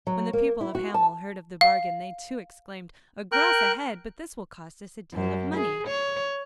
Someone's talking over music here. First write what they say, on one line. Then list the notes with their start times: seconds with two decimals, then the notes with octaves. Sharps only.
When the people of Hamel heard of the bargain, they too exclaimed: 'A gros a head! but this will cost us a deal of money!'
0.07 F#3
0.33 A#3
0.61 E4
0.75 F#4
0.94 A5
1.61 F5
3.32 A#4 G5 F#6
5.13 F#2
5.56 G#4
5.87 C#5